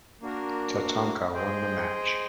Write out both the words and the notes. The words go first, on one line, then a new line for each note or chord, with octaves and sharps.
Tatanka won the match.
A#3 D4 F#4 A#4
G#4 C5 D#5 G5